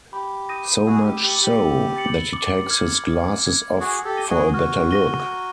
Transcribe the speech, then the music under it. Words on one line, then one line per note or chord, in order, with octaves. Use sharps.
So much so, that he takes his glasses off for a better look.
G4 B5
D#6 G6 A#6 D#7
F#4 G#4 E6
G4
G4 A6 C#7 F#7
G4
E6
A6 C#7 F#7
D6
F6 G#6
D6
F6 G#6
F#4 G#4 F6
G4 A4
A#6 D#7 G7
F#4 G#4
F#4 F6
A#6 D#7 G7
A#5